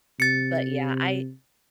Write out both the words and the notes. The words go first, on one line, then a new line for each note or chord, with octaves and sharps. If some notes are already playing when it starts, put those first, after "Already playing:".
Mm, but yeah, I
C3 A6 C#7